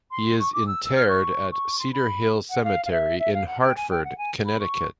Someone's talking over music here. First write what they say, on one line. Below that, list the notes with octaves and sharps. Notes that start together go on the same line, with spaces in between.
He is interred at Cedar Hill Cemetery in Hartford, Connecticut.
C6
C#6
D6
E6
E6
F6
C#6
C#6
C6
B5
F#5
F5
F5
E5
E5
F5
F#5
G5
G#5
G5
F#5
G#5
B5
C#6